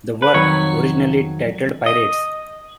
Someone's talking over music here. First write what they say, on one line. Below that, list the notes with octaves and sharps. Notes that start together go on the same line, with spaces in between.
The work, originally titled Pirates!
B4
F2 D#3 F#3 C#5
D#5